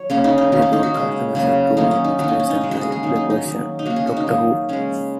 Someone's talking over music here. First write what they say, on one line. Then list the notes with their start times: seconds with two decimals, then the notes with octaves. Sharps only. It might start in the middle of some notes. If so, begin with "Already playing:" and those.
They broadcast a message throughout space and time, the question Doctor Who?
Already playing: F#3 C#5
0.10 C#3 A#3 C#4
0.24 D#4
0.38 D#4
0.52 D#3 A#3 C#4
0.62 C#4
0.73 D#4
0.83 F#4
0.94 C#3 G#3
1.35 C#3 F#3 A#3
1.77 D#3 F#3 A#3 D#4
1.91 C#4
2.04 D#4
2.19 D#3 F#3 A#3 F#4
2.29 D#4
2.40 C#4
2.50 D#4
2.61 C#3 G#3
2.71 F#4
2.81 G#4
2.92 G#4
3.03 D#3 F#3 A#3
3.16 D#4
3.30 D#4
3.43 D#3 F#3 A#3
3.79 D#4
3.86 C#3 A#3 F#4
3.96 G#4
4.07 F#4
4.17 D#4
4.27 D#3 F#3 A#3
4.69 C#3 G#3 C#4